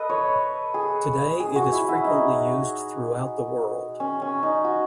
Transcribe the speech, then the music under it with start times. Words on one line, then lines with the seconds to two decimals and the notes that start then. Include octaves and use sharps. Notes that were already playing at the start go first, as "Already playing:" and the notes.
Today, it is frequently used throughout the world.
Already playing: A4 B4 D#5
0.09 C#5
0.74 G#4
1.40 G#4
1.56 F#4
1.72 E4
1.89 E4
2.04 D#4
4.00 C#4
4.22 C#4
4.43 D#4
4.64 F#4